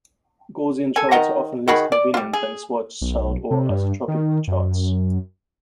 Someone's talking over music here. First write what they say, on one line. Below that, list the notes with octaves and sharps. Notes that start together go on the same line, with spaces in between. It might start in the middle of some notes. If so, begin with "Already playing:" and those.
Gaussian charts are often less convenient than Schwarzschild or isotropic charts.
A4 G#5
D#3 D#5 F#5 A#5
D#3 F#4 G#4 B5
D5
G3 F4
G#4
B1
C3
G2
D#3
F#2